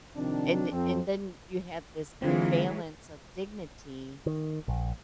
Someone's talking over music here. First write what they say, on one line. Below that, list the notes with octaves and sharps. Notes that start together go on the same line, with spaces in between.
and and then you have this balance of dignity,
C3 D#3 F3 C4 D4
F2 F3 C4
D3 E3 F#3 G#3 C4 F4
D#3
A#1